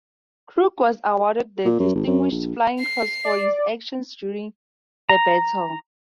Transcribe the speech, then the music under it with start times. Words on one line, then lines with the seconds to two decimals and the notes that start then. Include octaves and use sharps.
Crook was awarded the Distinguished Flying Cross for his actions during the battle.
1.65 A#2
1.79 F#2
1.95 G#1
2.07 F#2
2.31 A#1
2.79 C7
3.25 D5
5.09 A#5